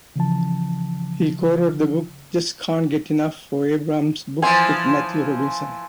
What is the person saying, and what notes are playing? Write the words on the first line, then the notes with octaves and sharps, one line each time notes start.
He co-wrote the book "Just Can't Get Enough" for Abrams Books with Matthew Robinson.
C#3 E3 F3 A5
E3 F3 C5 G#5